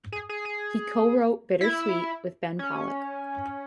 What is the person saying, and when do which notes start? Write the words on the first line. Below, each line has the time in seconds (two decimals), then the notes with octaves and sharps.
He co-wrote "Bittersweet" with Ben Pollack.
0.12 G#4
0.29 G#4
0.45 G#4
1.61 E4
2.59 C#4